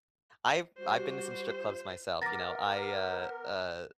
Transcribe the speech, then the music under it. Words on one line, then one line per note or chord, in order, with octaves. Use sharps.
I've I've been to some strip clubs myself. You know? I, uh, uh,
G3 F#4 G4 C5
F4
B3 A#4 A#5 D6 A6 A#6